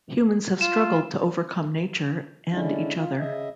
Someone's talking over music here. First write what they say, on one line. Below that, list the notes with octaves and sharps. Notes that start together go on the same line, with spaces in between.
Humans have struggled to overcome nature and each other.
F4 E7
D3 G#3 C#4 D4 E4
F4
C#3 D#5 E5